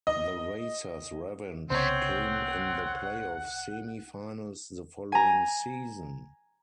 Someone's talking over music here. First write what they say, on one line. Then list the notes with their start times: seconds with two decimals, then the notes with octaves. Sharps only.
The Racers' revenge came in the playoff semi-finals the following season.
0.07 D#5
1.70 C2 C#3 B3 C4 C5 C#5 F#5
5.12 G#5 A#5